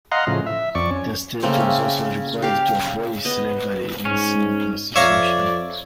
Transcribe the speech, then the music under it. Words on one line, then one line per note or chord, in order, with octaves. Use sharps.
The state was also required to abolish slavery in its new constitution.
D#5 F5 F#5 A#5 C6
A2 C#3 F3
E5
F2 D5 C#6
C#4
C#3 A3 A#3 C4
G4 F5
B3 D#5
G#2 C#4
F2 C#5 D5 E5 F5 A#5